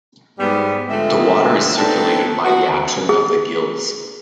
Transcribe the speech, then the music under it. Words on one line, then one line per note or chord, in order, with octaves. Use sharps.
The water is circulated by the action of the gills.
G#2 G3 B3
D3 F3 G#3 A3 C4 E5
A3 B3 C4 D4 D#4 A4
F#4
D2
G#4